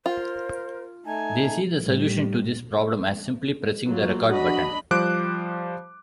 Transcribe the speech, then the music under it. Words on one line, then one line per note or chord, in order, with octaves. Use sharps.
They see the solution to this problem as simply pressing the "Record" button.
F4 A#4 C5
A3 D#4 G#5 A5
A2 G3
F#3 A#3 F4
D4 F#4 D#5 B5
F3 G3 C5 D6 F#6 D7